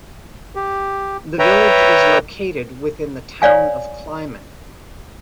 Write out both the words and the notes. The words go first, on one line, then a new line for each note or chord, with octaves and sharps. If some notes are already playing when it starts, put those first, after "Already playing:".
The village is located within the Town of Clyman.
G4
B4 C#5 E5 G5 A#5
C#5 D5 F5 G#5